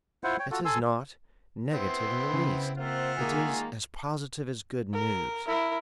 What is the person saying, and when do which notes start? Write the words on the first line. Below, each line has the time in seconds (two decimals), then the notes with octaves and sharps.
It is not negative in the least; it is as positive as good news.
0.24 E4 F4 C5 F#5
0.39 C#5 G5
0.51 F4 F#4 A4
0.65 A4 G#5 C6 E6
1.74 B3 C4 E4 C6
2.33 C#3
2.77 A#3 C4 F4 C5 E5 F#5
3.17 D#3 G#3 A#3 G#4 G#5
4.93 A#4
5.47 E4 A#4